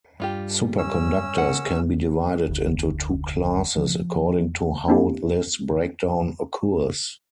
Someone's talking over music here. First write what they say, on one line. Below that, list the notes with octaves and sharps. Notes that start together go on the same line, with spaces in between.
Superconductors can be divided into two classes according to how this breakdown occurs.
G2 G3 F4 G4
C#4 E6
A#3 F#5
F1 D2
F3
A#3 C4 D4 E4 G4